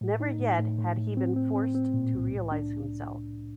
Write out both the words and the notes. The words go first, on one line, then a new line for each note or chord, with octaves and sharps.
Never yet had he been forced to realise himself.
A2
D#4
A2
A2
A2
A2
C4
C4
C4
C4
A#2
C2
A2
D4